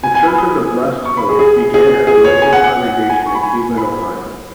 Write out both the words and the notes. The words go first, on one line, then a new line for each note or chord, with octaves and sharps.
The "Church of the Blessed Hope" began as a local congregation in Cleveland, Ohio.
G#5
G#5
B5
D#6
C#6
B5
G#4
G#4
G#4
G#4
C#5
G#5
F#5
F#5
G#5
C#6
B5
G#5
B5